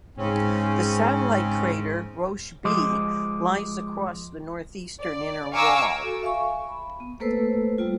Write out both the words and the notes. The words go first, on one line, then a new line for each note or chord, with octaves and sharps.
The satellite crater Roche B lies across the northeastern inner wall.
G#2 C#3 C4 C#4
F3 G#3 C6 D6 D#6
D5
F5 G#5 A#5 C#6 D6 E6
F#4 A4
E5 F5 G#5 C#6
B5
B3
A3 A#3 A4 B4 C5 E6
G3 A#3 F4